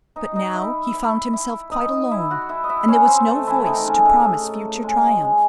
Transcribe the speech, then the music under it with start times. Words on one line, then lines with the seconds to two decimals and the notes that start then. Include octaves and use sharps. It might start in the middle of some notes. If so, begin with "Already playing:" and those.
But now he found himself quite alone; and there was no voice to promise future triumph.
0.16 D#4 D#5
0.35 D#4 D#5
0.55 E4 E5
0.94 E4 E5
1.33 E4 E5
1.71 D#4 D#5
2.11 E4 E5
2.30 F#4 F#5
2.49 E4 E5
2.64 D#5
2.69 E4 E5
2.88 C#4 C#5
3.08 C4 C5
3.27 A3 A4
3.47 E3 E4
3.66 D#3 D#4
3.85 C#3 C#4
4.05 A2 A3
4.83 G#3
5.03 F#3
5.23 G#3